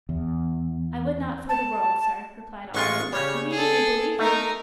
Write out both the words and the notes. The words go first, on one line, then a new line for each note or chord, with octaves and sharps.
'I would not for the world, sir,' replied Oliver. 'Indeed you may believe me.
E2
A5
A1 G#3 F4 C#6
C#3 G3 C#5
G#4 A4
A3 D#4 A#4